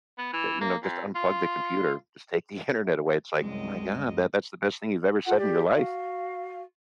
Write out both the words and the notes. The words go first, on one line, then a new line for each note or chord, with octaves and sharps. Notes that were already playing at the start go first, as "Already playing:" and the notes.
"You know, just unplug the computer, just take the internet away," it's like, "My god, that that's the best thing you've ever said in your life.
B3
E3
A#3
F2
F4
C2 F#2 G#3 D#5
F4 A4 F#5
G4 D5
F#4 F5